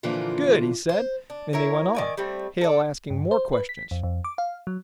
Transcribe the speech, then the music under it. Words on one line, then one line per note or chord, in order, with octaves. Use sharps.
"Good!" he said, and they went on--Hale asking more questions.
A#2 D3 E3 F3 A#3 F4
C5
D4
E4 A#4 C#5
D#3 D5 G#5
G3 A3 C4
A4 D5
G2
C5
B4
B6
F2
F2
D6
F5
F#3